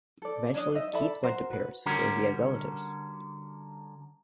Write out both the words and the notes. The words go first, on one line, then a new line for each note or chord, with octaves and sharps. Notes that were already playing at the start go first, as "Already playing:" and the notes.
Eventually, Keith went to Paris, where he had relatives.
A4 D5
C#4 D4 D#5
D#4 D#5 E5
A4 D5 E5 B5
F#4 A#4 C5
F#4 B4
D3 G3 C#4 F#4 A#4